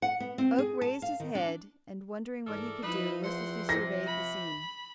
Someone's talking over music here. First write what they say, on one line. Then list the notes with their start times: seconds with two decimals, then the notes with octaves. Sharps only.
Oak raised his head, and wondering what he could do, listlessly surveyed the scene.
0.02 F#5
0.20 B3
0.38 C4
0.58 G#4
0.82 A5
1.02 F5
1.20 D#3
1.35 D4
2.47 G#2 E3 A4 A#4 D5
2.82 F3 D#4 E4 B4
3.24 E2 C4 F#5 C6
3.69 C3 A#6
4.06 B5